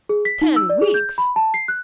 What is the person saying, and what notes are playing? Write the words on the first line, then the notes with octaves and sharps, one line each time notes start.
"Ten weeks!"
G#4
B6
D#4
E6
D5
G#4
G6
B5
A5
C7
F#6